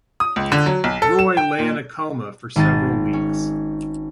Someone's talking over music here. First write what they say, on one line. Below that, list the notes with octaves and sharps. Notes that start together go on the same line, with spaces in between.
Roy lay in a coma for several weeks.
D#6
C#2
D3
F#3
B1
A4
E7
G5
A#2
G#1 G#3 D#4 A6
C#4